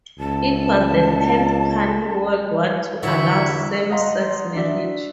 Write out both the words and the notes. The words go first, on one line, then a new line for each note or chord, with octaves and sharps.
It was the tenth country worldwide to allow same-sex marriage.
C#2 A5
E2 D3 D#3 F#3 D4 E4 E5 C#6
D#5 F5 F#5 A#5 C6 D#6
D4 F#4 E5